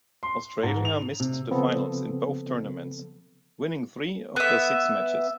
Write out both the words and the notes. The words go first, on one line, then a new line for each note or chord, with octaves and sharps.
Australia missed the finals in both tournaments, winning three of their six matches.
C6
G#2
F7
C3
C#3 F3 B3 C4 A4
B3 E5